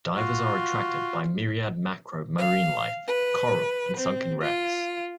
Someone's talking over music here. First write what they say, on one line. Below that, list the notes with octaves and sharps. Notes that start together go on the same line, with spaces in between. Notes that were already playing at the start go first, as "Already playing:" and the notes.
Divers are attracted by myriad macro marine life, coral and sunken wrecks.
F4 F#4
F5
B4
C4
F4